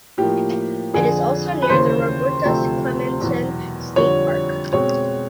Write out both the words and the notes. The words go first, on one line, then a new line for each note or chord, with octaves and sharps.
It is also near the Roberto Clemente State Park.
A2 F3 A#3 G4
F2 D3 F3 G#4
B4
D#2 C#3 E3 C5
D2 C3 F3 A3 C4
E2 B2 F#3
F2 D3 G3 C#5
B2 G#3 C4 C#5